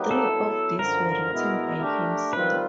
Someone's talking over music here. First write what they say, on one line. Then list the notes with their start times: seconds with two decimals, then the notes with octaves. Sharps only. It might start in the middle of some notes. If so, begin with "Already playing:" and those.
Three of these were written by himself.
Already playing: F#3 A#3 D#4 G4 B4
0.11 A4
0.27 F#3 B3 E4
0.79 F#2 D3 F3 A#4
1.30 B2 G#3 B3 E4
1.81 A3 D4 G4
2.33 D#3 G3 C4 F4 B4